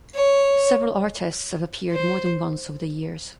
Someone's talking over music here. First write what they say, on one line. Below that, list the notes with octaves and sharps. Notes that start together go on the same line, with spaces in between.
Several artists have appeared more than once over the years.
C#5
C5